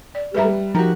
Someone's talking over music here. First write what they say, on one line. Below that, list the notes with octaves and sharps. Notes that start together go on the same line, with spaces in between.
we would
D5
G3 G4 B4 E5 A#5
F3 D#4 F#4 G4 A#4 A#5